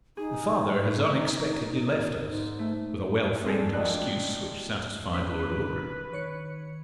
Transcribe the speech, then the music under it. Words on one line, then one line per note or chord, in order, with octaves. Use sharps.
The Father has unexpectedly left us--with a well-framed excuse which satisfied Lord Loring.
D#4 G#4
G#2
A3
A#3 C4 D4 G#4 A4
G#1 F3 D4 D5 F#6
C#4 B4 B6
D#3 C#5 C#7